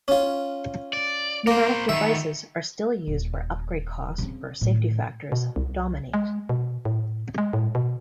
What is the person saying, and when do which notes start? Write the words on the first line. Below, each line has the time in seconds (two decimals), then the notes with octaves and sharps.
Pneumatic devices are still used where upgrade cost, or safety factors dominate.
0.08 C#4 F4
0.93 D5
1.47 A#3 A#4 C5
1.89 D#3 B3 E5
3.07 D#1
4.18 C#3 C4
4.61 A2 D#3
5.32 B2
5.56 C2
6.14 G#3
6.49 B2
6.85 A2
7.38 G#3
7.53 A2
7.75 B2